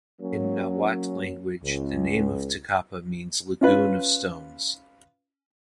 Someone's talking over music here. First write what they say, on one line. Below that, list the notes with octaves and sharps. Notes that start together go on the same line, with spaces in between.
In nahuat language the name of Tecapa means Lagoon of stones.
F#3 A#3 C#4
C#2
C#4 F4 B4